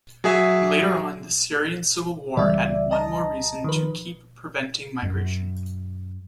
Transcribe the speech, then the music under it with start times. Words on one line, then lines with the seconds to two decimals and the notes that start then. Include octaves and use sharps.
Later on the Syrian Civil War added one more reason to keep preventing migration.
0.24 F#3 G#4 E5
2.37 C#2 E3 G3 D5 E5
2.91 D#5 A5 A#5
3.64 D#3 F3 B4
5.02 F#2